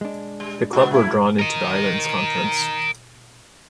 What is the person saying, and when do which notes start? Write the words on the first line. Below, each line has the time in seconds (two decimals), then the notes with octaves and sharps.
The club were drawn into the Islands Conference.
0.01 G#3 D4
0.40 G3
0.73 G2 G#3 B3 F#4
0.91 A2 E4
1.39 A#4 D#5